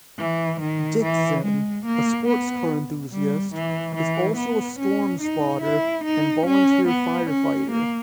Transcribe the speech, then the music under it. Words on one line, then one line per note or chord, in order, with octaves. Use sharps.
Dixon, a sports car enthusiast, is also a storm spotter and volunteer firefighter.
E3
D#3
E3
G#3
A#3
B3
G3
E3
E3
B3
C#4
D#4
E4
D#4
C#4
B3
C#4
A#3